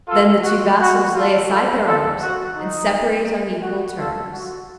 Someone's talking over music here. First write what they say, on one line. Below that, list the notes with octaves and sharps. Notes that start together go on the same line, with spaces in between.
Then the two vassals lay aside their arms and separate on equal terms.
F4 A4
F#4
F#4
F4 A4
F4 A4
F4 A4
F#4
D#4
F#4
F4 A4
F#4